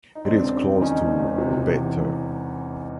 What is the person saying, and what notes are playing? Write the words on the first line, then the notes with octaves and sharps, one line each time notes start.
It is close to Bete.
D#4
E1 C4 D4
C#3
C#3
D#2 C#4 D#4
E1
E1
C3
C3
E2